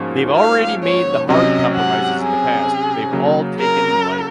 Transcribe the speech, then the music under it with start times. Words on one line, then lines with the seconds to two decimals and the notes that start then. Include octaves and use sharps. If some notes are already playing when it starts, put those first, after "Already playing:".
They've already made the hard compromises in the past; they've all taken life.
Already playing: G#2 F3 A#3 C#4 F#4
0.37 F5
0.83 C#5
1.29 C3 F#3 C#4 D#5
1.75 F#5
2.21 G#4
3.13 C#3 F#3 A#3
3.59 A#4